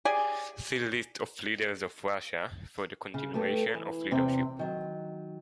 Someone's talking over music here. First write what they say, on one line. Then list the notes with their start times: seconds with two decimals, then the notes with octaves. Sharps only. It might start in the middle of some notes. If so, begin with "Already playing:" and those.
See List of leaders of Russia for the continuation of leadership.
0.05 G4 G#4 D5 G#5
3.14 C#3
3.34 A3 B3 G4 A4
3.74 E3
4.11 E2 C3 C4 F#5
4.59 D#3 F#3